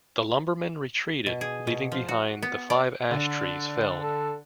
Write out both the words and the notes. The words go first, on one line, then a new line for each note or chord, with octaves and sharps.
The lumbermen retreated leaving behind the five ash trees felled.
B2
G#4
B2
F3
F#4
B3
D5
D3
A4